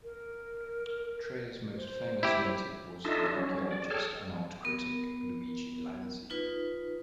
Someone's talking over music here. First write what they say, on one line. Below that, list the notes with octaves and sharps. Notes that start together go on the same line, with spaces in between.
Treia's most famous native was the archaeologist and art critic Luigi Lanzi.
A#4
C5
E4 G4
D4 D#4 F4 A4 D#5 E5
F#3 C#4
D5
G#4 A4 C#5 G5 A5 F6
B3 A#4
D#4 F4 B4